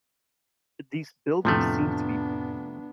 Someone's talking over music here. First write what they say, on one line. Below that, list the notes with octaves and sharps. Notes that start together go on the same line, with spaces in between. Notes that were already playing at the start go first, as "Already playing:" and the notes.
these buildings seem to be
F2 A2 C3 F3 A3 B3 D4